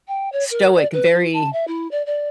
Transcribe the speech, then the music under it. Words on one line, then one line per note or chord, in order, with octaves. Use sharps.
stoic, very,
G5
C#5
A#4
D5
B4
F4
A5
E5
E4
D5
D5